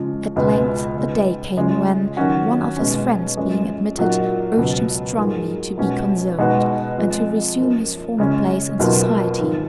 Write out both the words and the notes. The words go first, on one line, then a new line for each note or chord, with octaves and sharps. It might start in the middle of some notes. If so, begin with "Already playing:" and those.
At length a day came when, one of his friends being admitted, urged him strongly to be consoled, and to resume his former place in society.
Already playing: C#3 F3 G#3
C#2 B2 G#3 B3 F4
C#3 G#3 B3 D#4
C#3 G#3 C#4 F4
D#3 F#3 C#4 F#4
B2 G#3 C#4
F#2 F3 G#3 C#4 G#4
A#2 F#3 A#3 D#4 F#4
C#2 B2 F#3
G#2 F#3 A#3 F4 G#4
B2 G#3 C#4 F#4
B2 G#3 D#4 F#4 B4
F2 F3 G#3
F#2 F3 A#3 C#4
C#3 G#3 C#4
B1 B2 F#3 A#3 F4
G#1 G#2 D#3